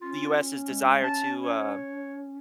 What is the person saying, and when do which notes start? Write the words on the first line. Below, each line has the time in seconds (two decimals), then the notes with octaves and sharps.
the US's desire to, uh
0.02 C#4 F4
0.69 G#3
1.04 A5
1.41 C#5